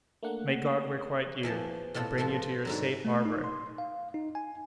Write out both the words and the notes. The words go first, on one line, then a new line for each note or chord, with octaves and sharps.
May God requite you, and bring you to your safe harbor!
A3 A#3 D4 F#5
E2 E3 F3 A5
A2 C4 F4 A4 F#5
B2 F3 C4 F4 A4
G#2 D3 F#3
A3
D#4
C6
F5
D#4
G#5